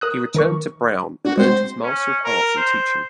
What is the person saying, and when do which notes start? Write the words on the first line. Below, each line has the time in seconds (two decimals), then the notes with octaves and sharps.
He returned to Brown and earned his Master of Arts in Teaching.
0.01 A#4 D#6 F#6
0.35 D#3 A#4 C#6
1.25 D4 F#4
1.37 G#3 C4 C5
1.83 C#4
2.24 A#4
2.56 C5